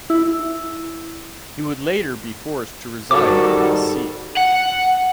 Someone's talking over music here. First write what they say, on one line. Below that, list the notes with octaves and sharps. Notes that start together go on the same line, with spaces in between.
He would later be forced to resign from his seat.
E4
G#2 D#3 G3 F#4 A4 D6
F#5